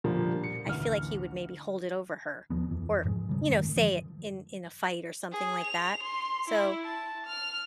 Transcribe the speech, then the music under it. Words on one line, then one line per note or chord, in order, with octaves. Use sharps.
I feel like he would maybe hold it over her, or, you know, say it in in a fight or something like that, so
A#2 D3 F3 G3 A#3
C#7
A1 D2 F6
D#2 F3 B3
F2 E3
G#2 F3 G3 G#3
C#3 G3 G#3
F#2 D#3 G#3 A3
D3 F3
G#4
F7
C6
E4
A5
F6